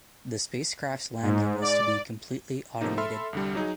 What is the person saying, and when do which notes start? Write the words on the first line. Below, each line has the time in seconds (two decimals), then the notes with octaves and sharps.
The spacecraft's landing was to be completely automated.
1.22 G#2
1.62 D5
2.81 C3 F3 A3 A#3 D#4
2.98 A4 E5 B5 C6 F6
3.33 C2 D3 G3
3.55 F#3 D#4 G#4